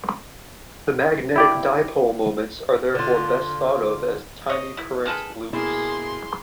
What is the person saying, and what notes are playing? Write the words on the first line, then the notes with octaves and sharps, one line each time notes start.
The magnetic dipole moments are therefore best thought of as tiny current loops.
E4 G4 D5
D3 F4
C#5 D#5
E4
D#3 G#3 A4 B4
B2 A#3 E4 G#4 C6